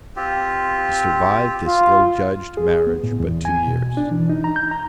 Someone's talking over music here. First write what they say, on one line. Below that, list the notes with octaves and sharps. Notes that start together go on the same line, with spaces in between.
He survived this ill-judged marriage but two years.
C4 F4 G4
F4
G#4
B3
A2
E2
G#5
B2
D4
E3
D#4
A#5
G6
A#5